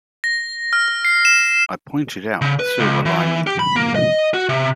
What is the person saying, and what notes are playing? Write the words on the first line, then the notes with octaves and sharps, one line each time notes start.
I pointed out the silver lining.
A#6
F6
C7
E7
C#3
B4
C#2
E3
G4
B5
A#3
D#5
F#4
C3